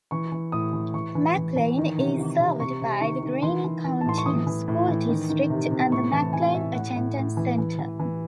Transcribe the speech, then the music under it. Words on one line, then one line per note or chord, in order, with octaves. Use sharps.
McLain is served by the Greene County School District and the Mclain Attendance Center.
E3 C#6
E3
A2 D#6
E3
E3 C#6
E3
E3
E3
D#3
C3
D#3
C3
C3 C#6
C3
D#3 C#6
D#3
E3 C6
E3
E3
A5
A2 C6
C#6
E3 D#6
E3
A2
E3
D#3
D#3
C3
C3
A2 C#6
E3 A5
E3 G#5
A2 E5
A2 F#5
A2
A2
E3
E3
E3
E3